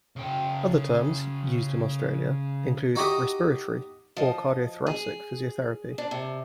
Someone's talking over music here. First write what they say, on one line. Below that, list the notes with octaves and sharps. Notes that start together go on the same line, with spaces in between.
Other terms, used in Australia, include respiratory or cardiothoracic physiotherapy.
C#3 G5
D#4 F#4 G4 D#5
F3 D#5
G#4
D4
C3